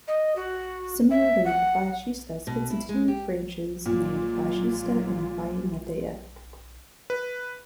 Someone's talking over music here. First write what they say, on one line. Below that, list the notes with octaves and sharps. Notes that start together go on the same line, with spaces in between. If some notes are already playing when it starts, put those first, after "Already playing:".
Similarly the Vasishta splits into two branches named Vasishta and Vainateya.
D#5
F#4
E5
F#5
B2
E4
G#3
G4
A#2 F#3 G#3 F4
B4